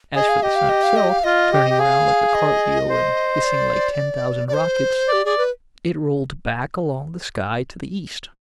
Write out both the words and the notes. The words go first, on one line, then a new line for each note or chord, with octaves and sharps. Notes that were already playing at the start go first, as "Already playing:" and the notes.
As for the sun itself, turning round like a cartwheel and hissing like ten thousand rockets, it rolled back along the sky to the east.
G#4 D#5
F5
G4 D#5
F5
D#5
F5
D#5
F5
F4 D#5
G4
G4
G#4 F5
D#5
C5
D5
D5
C5
G4 D5
G#4 D5
B4